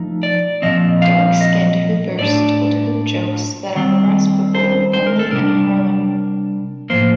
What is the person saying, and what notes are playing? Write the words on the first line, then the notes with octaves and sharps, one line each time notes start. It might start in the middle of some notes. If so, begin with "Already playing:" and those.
Dark-skinned hoopers told hoop jokes that are graspable only in Harlem.
Already playing: F3 A3 D#4
D5
A#2 F3 C4 D#5
F5
D#5
A2 A3 D4 D5
D#3 G3 C4
C5
C5
A#4
A4
C3 G3 D4 A#4
A2 F3 A#3 C5